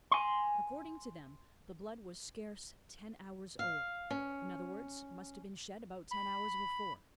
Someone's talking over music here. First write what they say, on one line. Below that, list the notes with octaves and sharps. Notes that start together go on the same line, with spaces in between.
According to them the blood was scarce "ten hours old:" in other words, must have been shed about ten hours before.
G#5 C6
F5
C#4
B5